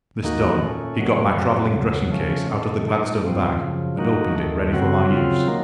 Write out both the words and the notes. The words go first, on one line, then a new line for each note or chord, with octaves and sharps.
This done, he got my travelling dressing-case out of the Gladstone bag, and opened it ready for my use.
D#2 D#3 A#3 D#4 F#4
A#2 A3 C#4
F#2 D#3 F#3
F2 C3 F#3 A3
D#2 C#3 F#3
C#3 F3 A3 C#4
C3 D#3 A3
A#2 A3 D#4
A#2 F3 C4
F#2 C#3 F3
D#3 A#3 D#4 F#4
D#2 D#3 A3
F#2 C#3 F#3 C4 F#4
C#3 F#3 C4 F4
D#3 F#3 A#3